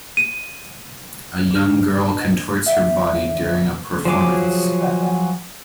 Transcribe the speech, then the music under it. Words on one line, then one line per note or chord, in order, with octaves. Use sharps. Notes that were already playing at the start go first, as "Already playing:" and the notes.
A young girl contorts her body during a performance.
D#7
D4 F6
E5
F3 F#3 G#4 D6